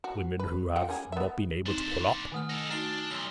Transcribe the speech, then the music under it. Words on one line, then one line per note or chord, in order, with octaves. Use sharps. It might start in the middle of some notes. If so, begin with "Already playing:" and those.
"The women who have--not been able to pull up?"
F#4
B4
F4 F#5 G5
G3 C#4 G#4
B3 E5
C4 D4 D#4 C5
D#3 A3 G#5 D#6 F6
D#4 A4
A3 D4 D#4 F#4 F6 C7 G7
B1 C6 E6 G7